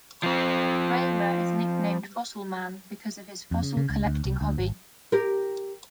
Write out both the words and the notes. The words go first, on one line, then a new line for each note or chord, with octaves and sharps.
Raymer is nicknamed "Fossilman" because of his fossil collecting hobby.
F3 C4
F2
C#3
C#3
C#2
D2
C2
D2
G#1
G4 A#4